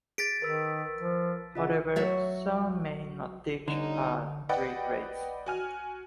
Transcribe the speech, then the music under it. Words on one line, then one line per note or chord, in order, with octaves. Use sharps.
However, some may not teach all three grades.
G#4 A6 B6 D7
D#3 A#4 B4 E6
F3
C#3 F4 D#5 F#5
F#3 F#4 C#5 D5 E5
G1 D3 C#4 D#4
B4 D5 D#5 F#5 G5
F#4 G#5 F6